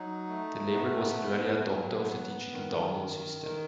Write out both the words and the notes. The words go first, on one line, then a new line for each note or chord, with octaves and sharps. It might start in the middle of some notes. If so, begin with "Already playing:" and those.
The label was an early adopter of the digital download system.
Already playing: F#3 D#4
A3
B3
B3
F#3
B3
D#3
D#3
D#3